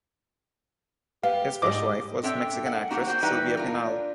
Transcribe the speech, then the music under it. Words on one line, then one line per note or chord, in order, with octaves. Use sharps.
His first wife was Mexican actress Silvia Pinal.
B3 G4 F5
G#2 G3 D#5 D6
C4 D4 A4 C#5 E5 G5
A#4 F#5
A#3 D#4 F#4 G4 F#5
F#4 A#4 C5 G5
E3 G3 D#4 B4 G5
D4 F4 A#4